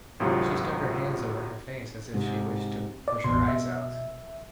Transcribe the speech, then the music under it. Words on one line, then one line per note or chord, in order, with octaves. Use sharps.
She stuck her hands over her face as if she wished to push her eyes out.
G#1 D2 C3 F#3 F4
G#2 C3
D5
A1 E2 B2 B3 C6
E5